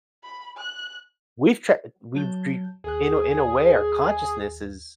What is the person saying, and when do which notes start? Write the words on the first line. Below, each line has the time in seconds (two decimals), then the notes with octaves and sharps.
we’ve tra we’ve we’ve in a In a way our consciousness is
0.24 B5
0.58 F#6
2.15 F#3 A5 G6
2.84 D#2 G#4 F#6